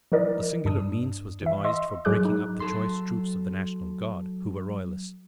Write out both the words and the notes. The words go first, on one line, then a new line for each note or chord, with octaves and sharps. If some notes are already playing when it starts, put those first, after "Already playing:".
A singular means was devised for breaking up the choice troops of the National Guard, who were royalists.
F3 D#4 E4 A#4 D5 D#5
G2 D4 D#6
E3 E5
D#5 C6 E6
G#2 F#3 G#4 D6 F#6
D#4
F#3 A4 C6